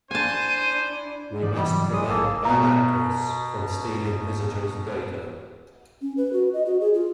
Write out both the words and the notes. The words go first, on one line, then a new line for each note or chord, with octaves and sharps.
We must prevent bad actors from stealing visitors data.
D4 E4 C5 G#5 A5 D#7
E3 D5
G3
G#2 C#3 F#3
G#3 D#6
A1 A#3 G#4 A4
B2 B3 A#5
C#4
B4
F#4
D#5
F#4
G#4
F4